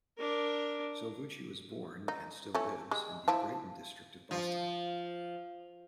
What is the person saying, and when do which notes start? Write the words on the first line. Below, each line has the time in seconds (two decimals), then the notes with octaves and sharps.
Salvucci was born, and still lives, in the Brighton district of Boston.
0.18 D4 A#4
2.08 D#4
2.55 A3 C#4
2.91 G3 G#3
3.28 F3 E4 A5
4.31 F3